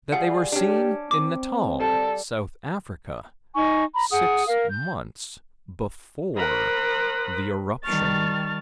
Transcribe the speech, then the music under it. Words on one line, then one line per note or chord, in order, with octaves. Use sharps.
That they were seen in Natal, South Africa, six months before the eruption.
G3 F4 G#4 F#5
C#4 D4 G4
C4 D6
G3 A4
D#4 G#5 C#6
A#5 B5
G#4 F#5 D#6
A#4 F5
G6
A#4 C5 B5 D#6 F#6
D#3 G3 A5 C#6 F6 A6